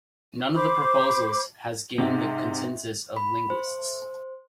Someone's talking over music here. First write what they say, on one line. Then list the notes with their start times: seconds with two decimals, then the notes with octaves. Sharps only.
None of the proposals has gained the consensus of linguists.
0.54 C5 B5 D6
1.98 G#2 C3
3.16 B5
3.50 C5